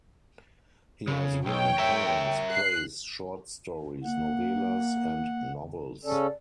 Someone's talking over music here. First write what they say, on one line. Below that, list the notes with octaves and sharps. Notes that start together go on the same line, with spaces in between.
He has written poems, plays, short stories, novelas and novels.
C#3
B1 C#5 G5
A#4 E5
F#6 C7
A#3 F#5
C#3 C#4 A4 D5